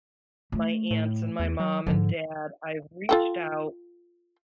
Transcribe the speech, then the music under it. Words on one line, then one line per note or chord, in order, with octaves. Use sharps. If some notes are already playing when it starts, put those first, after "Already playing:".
my aunts and my mom and dad, I've reached out
A3
A2
E2
F#3
G#2 D3 F3
F4 A4 G5